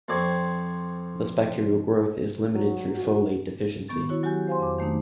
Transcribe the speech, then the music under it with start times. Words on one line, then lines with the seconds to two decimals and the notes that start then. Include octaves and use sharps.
Thus, bacterial growth is limited through folate deficiency.
0.08 F2 C4 D5 G#5 C#6
2.55 F#3
2.94 F#4
3.89 D#3 B3 C#6 A6
4.09 E4 F#4 C#5
4.23 F#3 F#4 G4 G#5 G6
4.47 C5 F5 G#5 C6
4.59 F2 D6
4.79 D#3 A3 A#3 D4 D#4